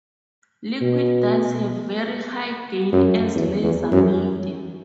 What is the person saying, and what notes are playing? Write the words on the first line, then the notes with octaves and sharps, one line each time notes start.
Liquid dyes have very high gain as laser media.
B2
F#2
E2
E2
F#2